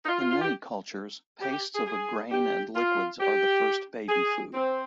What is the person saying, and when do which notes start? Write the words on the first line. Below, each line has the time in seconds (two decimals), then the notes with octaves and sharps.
In many cultures, pastes of a grain and liquids are the first baby food.
0.04 D#4
0.08 F4
0.19 F4
0.31 F4
0.41 G4
1.41 G4
1.52 G4
1.74 G#4
1.87 G#4
2.31 G4
2.76 F4
3.20 G4
4.09 G#4
4.54 C4